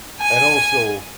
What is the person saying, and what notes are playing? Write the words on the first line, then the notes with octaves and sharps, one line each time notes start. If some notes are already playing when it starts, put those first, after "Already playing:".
and, also,
G#5